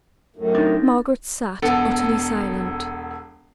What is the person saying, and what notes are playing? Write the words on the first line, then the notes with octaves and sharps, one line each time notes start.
Margaret sat utterly silent.
F#2 A2
C4 D4 D#4
E1 B3 A4